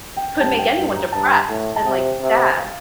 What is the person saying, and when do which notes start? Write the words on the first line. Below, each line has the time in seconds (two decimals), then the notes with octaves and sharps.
could make anyone depressed, and, like, sad.
0.16 G5
0.40 G2 A5
0.58 G5
0.68 F5
0.76 G2 G5
0.95 A#5
1.12 G2 A5
1.49 A2
1.76 A5
1.85 C3 G5
2.21 C3
2.58 F5